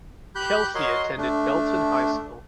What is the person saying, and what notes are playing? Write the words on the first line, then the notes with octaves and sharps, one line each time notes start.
Kelsey attended Belton High School.
G4 B5 F#6 G6
F#4 A#4 C#5 D#5 C6
A3 D4